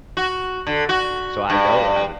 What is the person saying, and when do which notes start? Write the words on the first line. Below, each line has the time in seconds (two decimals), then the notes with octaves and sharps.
So, I know how to
0.17 F#4
0.67 D3
0.89 F#4
1.50 G2